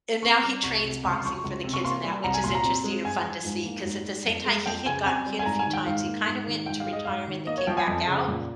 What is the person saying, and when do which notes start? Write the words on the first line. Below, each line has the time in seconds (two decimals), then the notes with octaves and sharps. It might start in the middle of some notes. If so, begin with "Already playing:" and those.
And now he trains boxing for the kids and that, which is interesting and fun to see 'cause at the same time he had gotten hit a few times, he kinda went into retirement and came back out,
0.23 C4 C#6
0.43 G3
0.63 C2 C#6
0.84 C3
1.03 C#2
1.12 C#6
1.19 C6
1.23 F3 C#6
1.44 C#2
1.64 C3
1.74 C#6
1.84 A#3 C6
2.04 G3
2.24 C2 A#5
2.34 G#5
2.44 A#2 C6
2.55 A#5
2.64 C4
2.84 G#3
3.05 G2 G#5
3.25 F3
3.45 G#2
3.66 A#3
3.85 G#2
4.05 G3
4.25 F2
4.46 G#3
4.65 F2 G5
4.86 C#3 G#5
5.05 C4 G#5
5.26 G3
5.39 G#5
5.46 G#2 A#5
5.59 G#5
5.67 D#3
5.73 G5
5.86 G#2 F5
6.07 A#3
6.27 G#2
6.47 D#3
6.66 G#2 G5
6.80 F5
6.87 G#3
6.93 D#5
7.05 G#2 F5
7.27 D#3
7.47 A#3 D#5
7.58 C#5
7.67 F3 G5
7.77 G#5
7.88 F2
8.08 C#3
8.28 A#2